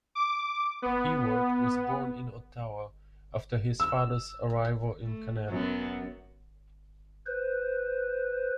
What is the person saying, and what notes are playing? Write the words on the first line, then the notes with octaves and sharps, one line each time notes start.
Ewart was born in Ottawa after his father's arrival in Canada.
D6
B3
E6
A3
F#2 B3
B4 C5